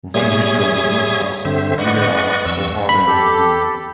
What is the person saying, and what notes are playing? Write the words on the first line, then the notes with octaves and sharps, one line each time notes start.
Van Winkle does not ask who they are or how they know his name.
G3 G#4 C#5 E5 D#6 G#6
G2 D3 C4 C5 E5
B4 D5 D#5 F#5 C#6
F2 C#6 E6
B5
G4 A4